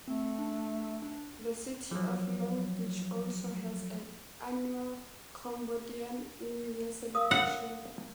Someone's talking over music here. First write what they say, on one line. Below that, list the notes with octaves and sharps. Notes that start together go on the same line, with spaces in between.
The city of Long Beach also has an annual Cambodian New Year celebration.
A3 C4
D4
D4
F3 F#3
A#4 F5 D#6
F#5